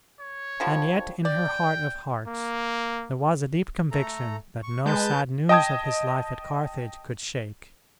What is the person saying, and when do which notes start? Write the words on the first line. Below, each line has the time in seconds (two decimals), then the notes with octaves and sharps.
And yet in her heart of hearts there was a deep conviction that no sad news of his life at Carthage could shake.
0.20 C#5
0.60 D3 F3 G3
1.25 D5 G5
2.28 A#3
3.91 A3 A4 A#5
4.63 C#6
4.86 G#3 B4 A5 G6
5.49 D#5 G5 A5 D#6 G#6